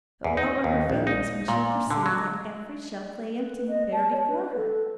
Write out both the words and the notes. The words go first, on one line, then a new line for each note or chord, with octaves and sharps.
But what were her feelings when she perceived that every shelf lay empty and bare before her!
E2
D#4
D#2
A#1
D#4
A#2
D3
F#3
B4
D#5
A5
C#5
B4
A4